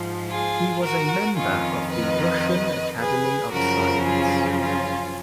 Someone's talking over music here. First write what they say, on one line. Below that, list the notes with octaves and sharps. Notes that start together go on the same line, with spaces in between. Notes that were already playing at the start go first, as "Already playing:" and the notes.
He was a member of the Russian Academy of Science.
Already playing: G#2 F3
F4 G#4
F#4 A#4
F2 D#3 C#4 F4
B4 D#5
G#4 B4
F#2 C#3 F3 F#4 A#4
F4 G#4
C#4 F4